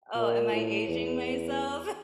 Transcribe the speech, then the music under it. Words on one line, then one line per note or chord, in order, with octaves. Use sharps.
Oh, am I aging myself?
A#2
A2
E2